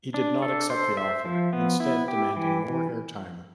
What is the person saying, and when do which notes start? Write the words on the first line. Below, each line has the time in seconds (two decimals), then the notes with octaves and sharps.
He did not accept the offer, instead demanding more airtime.
0.14 D4
0.42 A4
0.70 C5
0.97 E5
1.25 F3
1.53 B3
1.80 E4
2.08 G4
2.37 E3